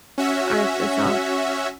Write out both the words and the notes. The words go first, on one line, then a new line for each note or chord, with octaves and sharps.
Uh, it's it's all
C#4 F#4 E5